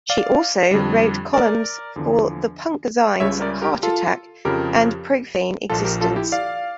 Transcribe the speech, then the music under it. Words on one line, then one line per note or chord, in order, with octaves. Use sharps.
She also wrote columns for the punk zines Heartattack and Profane Existence.
D5 F5
F2 D3 G3
A#4 D5
E2 D3 F3
C#2 C#3 G3 C#5 E5
A#4 D5
G4 A#4
F4 A4
F2 C#3 F3 G4 A#4
A#1 A#2 F3 F4 A4
G4 A#4
F4 A4
E4 G4
D5 F5